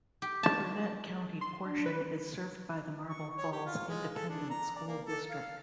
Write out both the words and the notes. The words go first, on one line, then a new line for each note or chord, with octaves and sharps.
The Burnet County portion is served by the Marble Falls Independent School District.
G4
A5
C6
D4
B4
C#6
C#5
G4
F4
G#3
A4
D4
A#5
D5
A#3
A4
F5